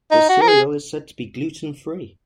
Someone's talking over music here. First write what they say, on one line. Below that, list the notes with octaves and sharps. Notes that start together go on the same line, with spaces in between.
The cereal is said to be gluten free.
D#4
F#4
A#4
G#4